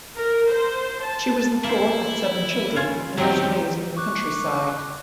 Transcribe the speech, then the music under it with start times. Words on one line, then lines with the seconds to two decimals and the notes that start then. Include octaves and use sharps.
She was the fourth of seven children and was raised in the countryside.
0.16 A#4
0.49 C5
1.04 A5
1.64 A#3 E4 C5
2.76 C#4 F4 C#5
3.18 E2 F#3 C4 D#4 G4
3.97 C#6 D6 F#6